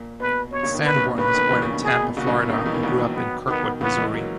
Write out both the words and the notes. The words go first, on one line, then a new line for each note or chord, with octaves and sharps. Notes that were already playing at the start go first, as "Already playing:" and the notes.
Sanborn was born in Tampa, Florida, and grew up in Kirkwood, Missouri.
Already playing: A#2
B2 B4
B2 C#5
A#2 C#3
B2 D#3
B4
A#2 C#3
B2
A#2 C#3 B4
B2 D#3
C#3 E3
A#2 C#3
B2
B2 G#4
A#2
B2
A#2 C#3 F#4
A#2 C#3
B2
A#2 C#3 D#4
B2 D#3
C#3 E3
B2 D#3
A#2 C#3 B3
D#3 F#3
B3
B2 D#3 B3
C#3 E3 B3
E3 G#3
F#3 A#3